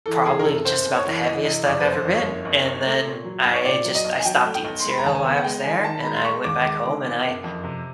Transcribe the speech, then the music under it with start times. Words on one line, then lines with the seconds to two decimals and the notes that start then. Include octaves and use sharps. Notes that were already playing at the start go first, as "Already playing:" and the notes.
probably just about the heaviest I've ever been," and then I just I stopped eating cereal while I was there, and I went back home, and I
0.06 E3 A4
0.26 C3 G#4
0.39 A#4
0.45 F#1 A4
0.65 F#1 C5
0.86 F#1
0.96 C#5
1.06 E3
1.25 E3 D#5
1.45 C3 D#5
1.65 F2 D5
1.80 B4
1.85 F#1 C5
2.05 F2
2.15 C#5
2.26 F#1
2.45 B1
2.65 B1
2.86 A3
3.05 A#2
3.24 F#3
3.45 B1
3.53 C#5
3.65 A#2 D5
3.85 F#3
3.95 D#5
4.04 B1
4.19 G#5
4.25 F#3 G5
4.45 A3
4.55 G5
4.64 B1
4.80 C6
4.84 G#3 B5
4.98 A#5
5.04 D#2 A5
5.15 G#5
5.25 B3
5.38 F#5
5.44 G#3 G5
5.64 D#3 G#5
5.84 D#3 A5
6.00 B5
6.04 G#3 A#5
6.16 C6
6.24 G#3 C#6
6.44 D#2 D6
6.64 G#3 D6
6.84 D#3
7.04 B3
7.25 F#1
7.44 F2
7.64 C3